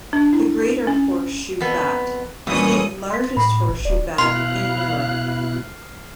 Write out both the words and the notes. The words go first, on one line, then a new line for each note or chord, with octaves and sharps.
The greater horseshoe bat is the largest horseshoe bat in Europe.
D4
E4
C#4
F2 B3
F2 A#2 E3 G3 C#4 D#6
C6 B6
A2 B5
G#1
D#1 D5
B2 E4 F5 C6 F6 F#6 C7 F7